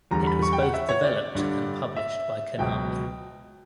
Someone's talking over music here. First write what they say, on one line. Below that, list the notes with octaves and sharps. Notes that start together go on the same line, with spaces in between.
It was both developed and published by Konami.
E2 D3 G3 A#5
B5
C#6
G5
F#5
E5
C#5
D5
G2 D3 G3
E5
C#2 B2 F#3 G5